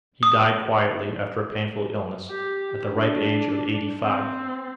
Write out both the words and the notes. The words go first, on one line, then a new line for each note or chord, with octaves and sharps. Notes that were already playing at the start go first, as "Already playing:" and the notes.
He died quietly, after a painful illness, at the ripe age of eighty-five.
D#6
G4
D4
C4